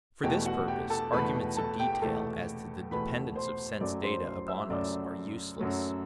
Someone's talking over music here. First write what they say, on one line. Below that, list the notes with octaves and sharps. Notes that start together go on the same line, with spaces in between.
For this purpose arguments of detail as to the dependence of sense-data upon us are useless.
E2 B2 A3 G4 G5
F#4 F#5
G4 G5
A4 A5
E2 B2 A3 B4 B5
A4 A5
G4 G5
G5
E2 B2 A3 A4 A5
E2 B2 A3 B4 B5
C5 C6
F#2 F#3 A3 D5 D6
C5 C6
C5 C6
E5 E6
F#2 F#3 A3 D5 D6
F#2 F#3 A3